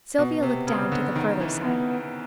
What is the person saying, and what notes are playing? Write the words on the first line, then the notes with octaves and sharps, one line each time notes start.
Sylvia looked down to the further side.
B2 B3
C3
C#3
D3
D#3
E3
B3